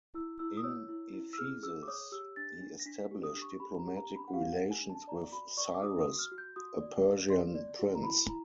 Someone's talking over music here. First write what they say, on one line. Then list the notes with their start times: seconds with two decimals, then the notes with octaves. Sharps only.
In Ephesus, he established diplomatic relations with Cyrus, a Persian prince.
0.14 E4 E6
0.39 E4 E6
0.57 D#6
0.64 C#5 E6
0.89 E4
1.13 E4
1.33 E6
1.38 G#4 F6
1.63 G#4 E6
1.83 D6
1.88 C#5 D#6
2.12 G4 E6
2.36 D4 A6
2.61 D4
2.80 A#6
2.86 D4 B6
3.11 G4
3.23 D#6
3.35 D4
3.42 C#6
3.60 G4 B5
3.79 A#5
3.85 G4
3.97 A#5
4.10 D4
4.16 B5
4.28 F#5
4.34 G4 F5
4.52 F#5
4.59 D4
4.71 G#5
4.83 D4
4.90 A5
5.08 D5 A#5
5.32 F#4 B5
5.57 D5 C#6
5.74 D6
5.82 F#4 D#6
6.01 D#6
6.07 F#4
6.19 F6
6.32 F#4
6.38 G6
6.56 F#4 D#6
6.80 D5
7.06 F#4
7.30 D5 C6
7.55 D5
7.79 F#4
7.95 A#5
8.04 E4 B5
8.29 E4 A#5